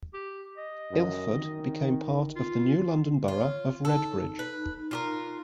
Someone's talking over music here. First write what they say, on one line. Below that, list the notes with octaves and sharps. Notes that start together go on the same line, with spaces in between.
Ilford became part of the new London Borough of Redbridge.
G4
D#5
F#2
D#3
F4
F4 C#5
D#4 A4
B4
F4 G4 A#4